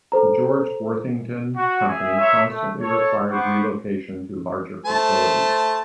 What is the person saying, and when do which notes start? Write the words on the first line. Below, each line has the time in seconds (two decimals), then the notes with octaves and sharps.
The George Worthington Company constantly required relocation to larger facilities.
0.12 A4 C5 A#5
1.56 F#4
1.89 G#4 E5 G#5
2.17 F4 A#4 C#5 E5
2.47 A3
2.81 A4 C#5
3.31 B3 B4 C5 F#5 C#6 D6
4.85 A3 C5 A5